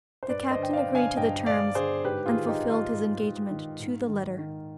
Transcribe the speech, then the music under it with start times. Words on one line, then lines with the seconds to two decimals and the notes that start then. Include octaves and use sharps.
The captain agreed to the terms and fulfilled his engagement to the letter.
0.23 C5
0.29 G2 B4 D5
0.51 C5 D#5
0.58 D3 G5
0.73 D5 F5
0.88 D3
0.95 F5 G#5
1.17 G2 D#5 G5
1.46 G2 D5 F5
1.75 D3 G#4 C5
2.04 G#2 G4 B4
2.26 F4 G#4
2.33 D#3
2.48 D#4 G4
2.62 D#3
2.70 F4
2.92 G#2
3.21 G#2
3.50 D#3
3.79 G#2
4.08 D#3
4.38 D#3